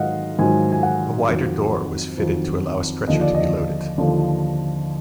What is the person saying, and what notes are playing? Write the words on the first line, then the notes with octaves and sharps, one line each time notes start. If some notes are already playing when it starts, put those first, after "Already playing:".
A wider door was fitted to allow a stretcher to be loaded.
Already playing: G#2 D#3 F#3 D#5 F5 F#5
G#2 D#3 F#3 G#5
G#5
F#5
F2 D#3 F#3
F2 D#3 F#3
D#2 D3 F3 D#5
D5
D#5
D#2 D3 F3